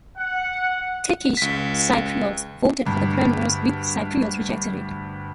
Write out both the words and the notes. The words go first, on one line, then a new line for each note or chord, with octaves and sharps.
Turkish Cypriots voted for the Plan whereas Greek Cypriots rejected it.
F#5
C#2 B6
D2 G2